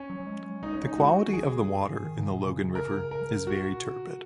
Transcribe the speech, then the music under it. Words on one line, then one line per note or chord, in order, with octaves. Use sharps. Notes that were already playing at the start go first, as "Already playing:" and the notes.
The quality of the water in the Logan River is very turbid.
Already playing: C#4
F#3
F#3
G#3
F#3
G#3 D#4
C#4
D#4
G#3 F#4
D#3
F#3 G#4
C#3
F#2
G#2
D#3
C#3
A#2
C#3
A#4
A#4
A#2 F#4
C#3